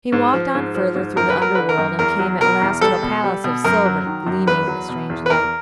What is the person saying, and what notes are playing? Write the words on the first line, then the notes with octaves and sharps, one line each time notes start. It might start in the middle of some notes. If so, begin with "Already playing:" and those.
He walked on further through the underworld, and came at last to a palace of silver, gleaming in the strange light.
G#2
F3
G#2
F3
G#2
F#2 A#4
B4
F#3 A#4
D3 B4
A#4
F#2
E2 A#4
F#3
B2 A#4
E2
G3 A4
B2
G3
B2
F#2 A#4
F#3
D#3
F#2
E2 B4
F#3
B2
E2
B4
E2 A#4